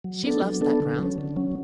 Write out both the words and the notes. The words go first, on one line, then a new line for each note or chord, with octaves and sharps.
She loves that ground.
F#3
B3 D4 A4
F#3
B3 D4 A4
D3
F#3 C#4
D3
F#3 C#4